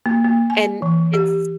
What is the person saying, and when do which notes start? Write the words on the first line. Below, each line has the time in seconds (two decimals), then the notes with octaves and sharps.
And it's
0.06 A#3
0.25 A#3
0.50 G#5
0.82 E3
1.14 G4